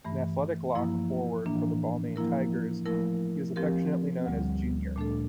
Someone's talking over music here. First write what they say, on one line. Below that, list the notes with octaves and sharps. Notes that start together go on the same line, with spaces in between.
An athletic lock forward for the Balmain Tigers, he was affectionately known as 'Junior'.
G2 E3 A3
G2 F3 A#3 E4
A2 E3 A#3 D4
F3 A#3 E4 A#4
F3 A3 E4 A#4
F3 C4 G4 A#4
D2 D3 G3
A#2 A3 D4 A4